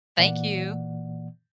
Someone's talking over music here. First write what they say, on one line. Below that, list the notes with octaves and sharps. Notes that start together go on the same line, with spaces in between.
Thank you.
A#2 E3 A#3 D5 F#5